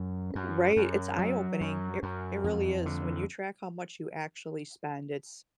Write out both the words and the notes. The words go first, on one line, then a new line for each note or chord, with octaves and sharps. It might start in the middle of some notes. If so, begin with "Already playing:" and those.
R right, it's eye opening, it it really is, when you track how much you actually spend, it's
Already playing: F#2
F#2
F#2
F#3
F#2
F#2
F2
D3